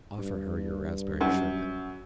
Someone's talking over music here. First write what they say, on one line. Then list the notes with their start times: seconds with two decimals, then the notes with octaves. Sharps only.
Offer her your raspberry sherbet.
0.19 G2
1.21 F#2